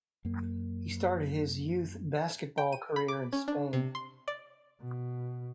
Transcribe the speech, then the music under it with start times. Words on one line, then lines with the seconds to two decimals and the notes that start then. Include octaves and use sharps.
He started his youth basketball career in Spain.
0.25 F#2 A#3
2.58 G5
2.72 D#7
2.96 B5
3.08 D6
3.33 C#4
3.48 D4
3.73 C3
3.95 C6
4.28 D5
4.81 B2